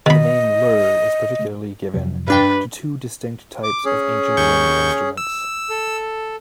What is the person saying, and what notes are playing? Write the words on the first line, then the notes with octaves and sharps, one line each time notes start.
The name lur is particularly given to two distinct types of ancient wind instruments.
B2 D#5 B5
F2 C3 F#3
G2 D4 B4 G5
D6
C#4 G#4
D#2 C#6 G6
E6
A4